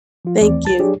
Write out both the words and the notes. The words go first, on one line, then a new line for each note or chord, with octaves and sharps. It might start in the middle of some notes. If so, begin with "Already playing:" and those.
Thank you.
F3 F4
D#2 E3 A3 C4 D5
C2 A5 A6
F#3 D4 G4 G#4 C#5 D5